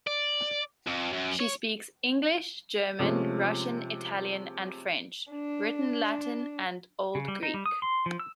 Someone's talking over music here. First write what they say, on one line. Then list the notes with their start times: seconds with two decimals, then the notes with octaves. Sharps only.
She speaks: English, German, Russian, Italian and French; written Latin and Old Greek.
0.07 D5
0.87 F2
1.13 F#2
1.40 C#5
2.99 C3 F3 G#3 A3 C#4
5.31 D4
7.15 C#3
7.28 G3
7.43 D#4
7.54 G3
7.66 D#6
7.82 C6
8.06 F3
8.20 E6